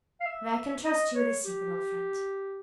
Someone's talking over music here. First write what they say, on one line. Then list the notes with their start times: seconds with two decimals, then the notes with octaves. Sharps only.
But I can trust you with a secret, old friend!
0.20 F5
0.26 E5
0.85 D#5
1.15 C#5
1.45 G4